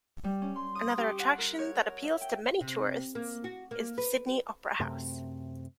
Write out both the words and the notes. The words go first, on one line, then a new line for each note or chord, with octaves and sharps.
Another attraction that appeals to many tourists is the Sydney Opera House.
G3
C#4
C6
D#6
G4
F#5
A#4
C#5
A#4
E5
G5
C3
A#3
F#4
A#3
B4
F#2 C3 A3 C4